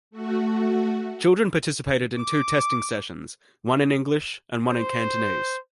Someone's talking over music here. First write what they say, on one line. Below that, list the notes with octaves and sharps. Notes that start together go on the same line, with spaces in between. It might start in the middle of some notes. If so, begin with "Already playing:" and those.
Children participated in two testing sessions, one in English and one in Cantonese.
A3 F#4
D6
C5